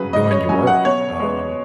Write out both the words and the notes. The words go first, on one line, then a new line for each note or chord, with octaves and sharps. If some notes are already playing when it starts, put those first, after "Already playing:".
doing your work, um,
Already playing: C#3 F#3 C#4 G#4 B4
C#3 D#5
C#5
F#3 C#4 G#5
F#5
B2 C#5
G#3 B3